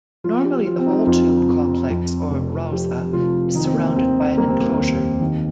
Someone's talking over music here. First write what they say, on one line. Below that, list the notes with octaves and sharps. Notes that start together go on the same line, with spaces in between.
Normally the whole tomb complex or "rauza" is surrounded by an enclosure.
F3 F4
G4
F3 F4
C4
D#4
F2 F4
F2
F2
F1
F3 G4
F1 F4
D#3 D#4
C4
A#3
C4
D#2 C4
G3 A#3
C4
A#3
D#2
D#3